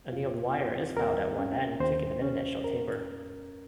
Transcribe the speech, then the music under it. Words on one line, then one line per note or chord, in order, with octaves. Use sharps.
Annealed wire is filed at one end to give it an initial taper.
F2 F4
C4
D#2 A#4
C#4
D#2 C5
C#4
F2 A#4